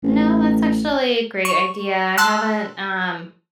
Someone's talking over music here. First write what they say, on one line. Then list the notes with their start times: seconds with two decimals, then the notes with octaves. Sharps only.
No, that's actually a great idea, I haven't, um,
0.03 A1
1.45 C#6
2.18 A5 C6 E6 F#6